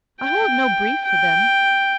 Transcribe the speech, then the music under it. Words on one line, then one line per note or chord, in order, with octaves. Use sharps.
I hold no brief for them.
G5
G5